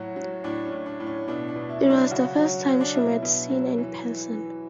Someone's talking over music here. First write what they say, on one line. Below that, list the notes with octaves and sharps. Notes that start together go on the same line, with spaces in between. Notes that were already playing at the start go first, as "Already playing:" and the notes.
It was the first time she met Cena in person.
Already playing: A2 F#3 F#4
F#3
A2 D4
C#4
A2
D4
A2
C#4
B2 D4
D4
B2
E4
F#3
D4
C#3 F#4
F#3
F#3 C#4
D4
B2 E4
B2
F#3
E3
E3
E3